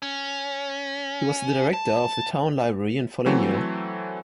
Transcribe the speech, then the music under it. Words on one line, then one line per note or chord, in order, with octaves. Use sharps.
He was the director of the Town Library in Foligno.
C#4
A5
E3 F#3 A3 C4